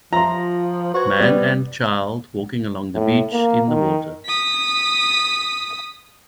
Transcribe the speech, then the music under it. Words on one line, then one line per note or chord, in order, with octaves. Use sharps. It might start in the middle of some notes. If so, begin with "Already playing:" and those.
Man and child walking along the beach in the water.
F3 F4 E5 A#5 C6 A#6
F#4 B4 C5 G#6
G3 B3
A2
A#3
D#3
D#6 B6